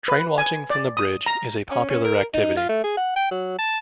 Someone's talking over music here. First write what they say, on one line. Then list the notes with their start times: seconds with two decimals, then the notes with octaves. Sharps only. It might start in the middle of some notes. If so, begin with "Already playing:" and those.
Trainwatching from the bridge is a popular activity.
0.08 B4
0.38 G#5
0.70 D5
0.97 D#6
1.26 A#5
1.71 C#4
1.90 C#4
2.04 A#4
2.34 D#4
2.57 F4
2.69 A3
2.84 G#4
2.97 F#5
3.16 G5
3.31 F#3
3.58 A5